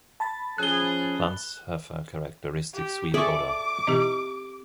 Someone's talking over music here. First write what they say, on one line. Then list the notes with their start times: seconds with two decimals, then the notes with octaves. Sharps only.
Plants have a characteristic sweet odor.
0.20 A5 B5 A6
0.58 F3 C#4 G#4 F#6 G7
2.74 G4
3.14 G#4 A4 D5 E5 C#6 D6
3.87 B2 E3 C4 D#4 G4